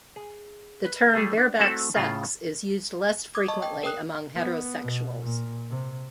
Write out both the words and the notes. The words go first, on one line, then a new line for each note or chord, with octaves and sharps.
The term "bareback sex" is used less frequently among heterosexuals.
G#4
B4
G3 A3 G#4 A4
D4
A3 C4 E4 F#4 A4
A2 C#3 F4
D6 D#6 G#6
D#5 A5 C#6
G5
A#4 G5 D#6 F#6
B3
B2
A#2
C3